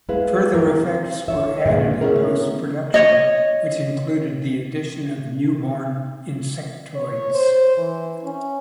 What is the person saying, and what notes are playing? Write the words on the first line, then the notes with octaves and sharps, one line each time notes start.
Further effects were added in post-production, which included the addition of newborn Insectoids.
G#3 B3 E4 G#4 B4 F5
G4 A#4 G5
C4
A4 C#5 E5
A#2 D3 D#3 G#3 B3
A3 B3 C#4 E4 G#4 A#4
C#5 D#5
C#5
C5
E3
C#4